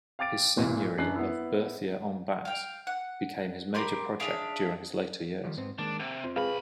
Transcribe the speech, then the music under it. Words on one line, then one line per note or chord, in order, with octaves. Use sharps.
His seigneury of Berthier-en-bas became his major project during his later years.
F5 G5 D6 A6 D7
G#1 A#2 E3
F#2 D4 B4 F#6 C7
B3 E4
F5 G5
F#5
G4 A#4 B5 C6
D4 G#4 E5 F5
D#3 F3 G3
G#2 B3 C4
D#3 G#3 A#3 D4
C3 F#5 G5
C4 F4 C5
C2 G#4 B4 F5 B5